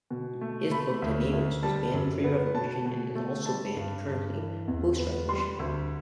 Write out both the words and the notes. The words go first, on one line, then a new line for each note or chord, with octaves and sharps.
His book "the neighbours" was banned pre-revolution and is also banned currently post-revolution.
B2
A3
A3 B5
D2
D2
G3 A5
F#2
B3
B2 A5
B2
A3
G3 A5
G2
G2
E3
E2
B3
G3 C6
D2